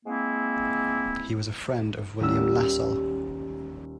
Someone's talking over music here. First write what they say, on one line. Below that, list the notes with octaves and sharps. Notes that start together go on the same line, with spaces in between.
He was a friend of William Lassell.
G#3 A#3 C4 E4
D#1 G3 C#4 E6